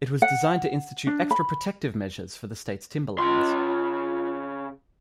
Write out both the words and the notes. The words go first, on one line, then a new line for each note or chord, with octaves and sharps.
It was designed to institute extra protective measures for the state's timberlands.
F#5
D4
B5
C#3 F4 C6